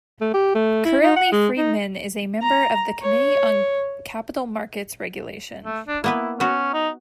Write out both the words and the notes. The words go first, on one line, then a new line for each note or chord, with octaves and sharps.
Currently Friedman is a member of the Committee on Capital Markets Regulation.
A3
G4
A3
E4
D#4
F#5
G#3
D#4
A#5
C#5
A3
D4
A#3 B3 E4 B4
B3 C#4 F#4
D#4